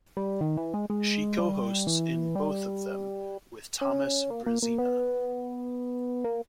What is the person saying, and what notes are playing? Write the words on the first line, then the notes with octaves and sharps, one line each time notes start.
She co-hosts in both of them with Thomas Brezina.
G3
D#3
E3
G#3
G#3
G3
E3
G3
C#4
A#3
A#3
A#3
B3
A#3